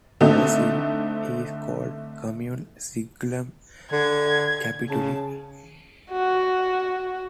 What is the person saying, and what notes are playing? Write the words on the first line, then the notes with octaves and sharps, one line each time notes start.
The seal is called "commune sigillum capituli".
D3 A3 C4 D#4
D3 G#6
C#3 A5
F#4